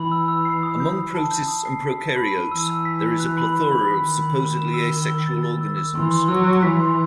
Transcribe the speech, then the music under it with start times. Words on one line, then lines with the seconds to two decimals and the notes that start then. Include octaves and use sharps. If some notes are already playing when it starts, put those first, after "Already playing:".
Among protists and prokaryotes there is a plethora of supposedly asexual organisms.
Already playing: E3 B5
0.12 E6
0.28 E6
0.45 C7
0.63 D#6
0.80 G6
0.97 D#6
1.15 A5
1.31 G6
1.48 D#6
1.65 C7
1.83 B6
2.00 B6
2.16 B5
2.34 D#7
2.51 E3 E6
2.68 E6
2.85 B6
3.02 B6
3.20 F#6
3.38 B5
3.55 B5
3.72 B5
3.88 D#3 B6
4.06 B6
4.23 B5
4.40 B5
4.57 E7
4.74 E6
4.92 G7
5.09 E6
5.26 A6
5.43 A6
5.61 E6
5.77 E6
5.95 E3 C6
6.11 C6
6.28 F#3 E6
6.46 E6
6.63 E3 B6
6.80 C6